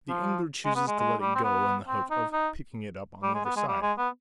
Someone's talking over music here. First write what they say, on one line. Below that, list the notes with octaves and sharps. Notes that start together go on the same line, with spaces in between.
The angler chooses to let it go in the hope of picking it up on the other side.
F3
G#3
B3
G#3
G#3
G3
C4
B3
C4
D#4
D#4
G3
G#3
B3
G#3
G3
G#3
B3